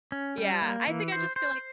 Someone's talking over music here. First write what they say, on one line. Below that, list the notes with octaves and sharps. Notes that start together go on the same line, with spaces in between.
Yeah, I think I just feel like
C#4
G3
A#3
E3
C5
C5